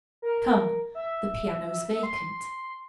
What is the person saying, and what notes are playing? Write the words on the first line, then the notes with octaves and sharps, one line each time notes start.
Come! the piano's vacant.'
A#4
E5
C6